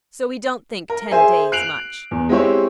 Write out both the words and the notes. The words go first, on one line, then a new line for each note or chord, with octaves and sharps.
"So we don't think ten days much."
A#4
G#4 C5 E5 G#5
F#6 C7 D7 F7 F#7
E2
G#3 C4 E4 G4 C5 C#5